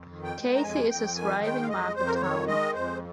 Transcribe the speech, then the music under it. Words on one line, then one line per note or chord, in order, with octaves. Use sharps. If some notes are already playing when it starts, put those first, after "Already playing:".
Kati is a thriving market town.
Already playing: F2
D#3
G5
G#3
A#5
F2 G#5
F2 G5
D#3 G#5
G#3 G5
F5
F2 D#5
F2 C5
A#4
C5
D#3 C#5
G#3 D#5
F2 C5